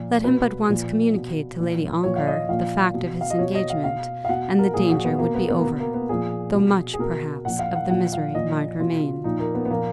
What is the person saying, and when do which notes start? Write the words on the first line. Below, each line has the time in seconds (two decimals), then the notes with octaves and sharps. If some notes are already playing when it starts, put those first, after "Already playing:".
Let him but once communicate to Lady Ongar the fact of his engagement, and the danger would be over, though much, perhaps, of the misery might remain.
Already playing: A#2 F3
0.24 B2 B4
0.69 A#2 F3
1.14 B2
1.59 A#2 F3
2.04 A#2 F3 C#5
2.16 F5
2.27 D#5
2.49 A#2 F3 F5
2.94 B2
3.21 F5
3.30 D#5
3.39 B2 C#5
3.55 D#5
3.70 F5
3.84 B2 F5
4.25 F5
4.29 B2 F#5
4.59 A#4
4.74 A#2 F3 G#4
4.90 F#4
5.04 B3
5.19 B2 A#3
5.35 B3
5.49 B3
5.59 A#3
5.64 B2 B3
5.80 A#3
5.94 B3
6.09 A#2 F3 G#4
6.54 B2
6.94 G#4
6.99 B2 A#4
7.45 A#2 F3 F#5
7.59 F5
7.75 F#5
7.90 A#2 F3 F#5
8.12 F5
8.34 A#2 F3 D#5
8.80 B2 F4
9.24 A#2 F3 D#4
9.39 A#3
9.55 B3
9.65 B3
9.70 A#2 F3 A#3